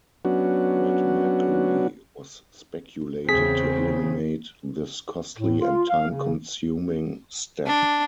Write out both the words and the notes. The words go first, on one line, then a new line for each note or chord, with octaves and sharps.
Red mercury was speculated to eliminate this costly and time-consuming step.
F#3 B3 C#4 D4 F#4
E2 C#3 C4 G#4 B6
A2
F4
F5
C#3
D4